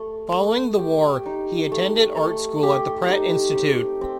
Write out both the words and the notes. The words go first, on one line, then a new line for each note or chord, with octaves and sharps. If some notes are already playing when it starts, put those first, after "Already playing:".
Following the war he attended art school at the Pratt Institute.
Already playing: A3
A3
G4
D#4
A3
A3
G4
D#4
C4
C4